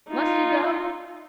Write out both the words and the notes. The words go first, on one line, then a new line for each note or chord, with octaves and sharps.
Must you go?
D#4 F4